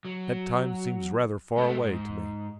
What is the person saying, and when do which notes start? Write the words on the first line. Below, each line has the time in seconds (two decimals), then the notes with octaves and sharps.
"That time seems rather far away to me."
0.05 F#3
1.58 G#3 A3
1.82 G#2